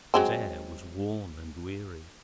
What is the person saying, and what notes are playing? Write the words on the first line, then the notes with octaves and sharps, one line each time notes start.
His air was worn and weary.
F#3 G#3 C4